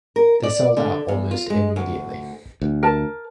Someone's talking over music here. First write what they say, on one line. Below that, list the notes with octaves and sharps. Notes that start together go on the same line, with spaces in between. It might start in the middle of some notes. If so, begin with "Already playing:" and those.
They sold out almost immediately.
A#4
D5
D3
E2
F4
G#3
D2
D2
A#4 A5